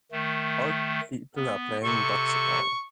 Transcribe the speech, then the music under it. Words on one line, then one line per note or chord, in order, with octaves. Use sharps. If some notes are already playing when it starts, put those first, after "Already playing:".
Old people are playing bocce ball.
D#3 A3
B3
C3 A4 C#6